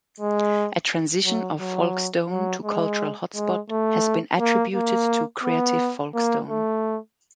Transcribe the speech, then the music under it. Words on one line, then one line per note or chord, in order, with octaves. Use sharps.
A transition of Folkestone to cultural hotspot has been attributed to Creative Folkestone.
G#3
F#3
F#3
F#3
G#3
G#3
A3
A#3
A#3
B3
A#3
A3